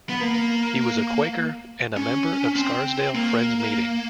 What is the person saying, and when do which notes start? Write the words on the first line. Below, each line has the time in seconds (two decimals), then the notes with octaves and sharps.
He was a Quaker and a member of Scarsdale Friends Meeting.
0.09 B3
0.20 A#3
1.97 C#4
2.56 C4
3.15 A#3